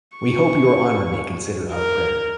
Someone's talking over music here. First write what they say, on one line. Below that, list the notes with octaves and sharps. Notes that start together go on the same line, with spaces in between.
We hope your honour may consider our prayer.
C#6
A#4